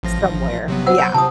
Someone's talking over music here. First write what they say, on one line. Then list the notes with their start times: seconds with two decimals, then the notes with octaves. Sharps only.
somewhere yeah,
0.03 A1 F3 A#6
0.68 C3 F#3 B3
0.86 C5 F#5 E6
0.98 F#3 G6
1.14 C3 A5 D#6